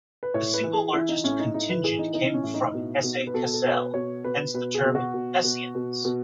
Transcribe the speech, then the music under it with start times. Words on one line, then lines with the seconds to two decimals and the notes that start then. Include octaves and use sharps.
The single largest contingent came from Hesse-Kassel, hence the term "Hessians".
0.23 B4
0.34 A2 C#5
0.54 B4
0.63 E3
0.73 G#4
0.93 E3 E4
1.09 D#4
1.24 A2 C#4
1.39 D#4
1.54 A2 D#4
1.69 B4
1.84 E3 G#4
1.99 D#4
2.13 E3 D#4
2.34 C#4
2.43 A2
2.54 D#4
2.74 B2
3.03 B2
3.27 B4
3.34 B2 A4
3.53 A4
3.64 B2 C#5
3.74 B4
3.94 B2 C#5
4.24 B2 B4
4.54 B2 B4
4.74 G#4
4.85 B2
4.95 F#4
5.14 B2
5.44 B2
5.75 B2
6.05 B2